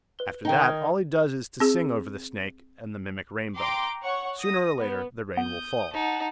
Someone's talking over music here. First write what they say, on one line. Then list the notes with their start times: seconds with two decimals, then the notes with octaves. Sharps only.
After that all he does is to sing over the snake and the mimic rainbow; sooner or later the rain will fall.
0.19 B4 G7
0.45 D#3 D#4 G5 A5
0.60 D#6 F6 G#6
1.60 C4 G#4
3.56 G5 A#5 C6 D6 G6
4.03 C#5 F#5 C#6
4.39 D#6 A#6
4.79 B3
5.37 B3 D#6 G6
5.94 D#4 F#5 A5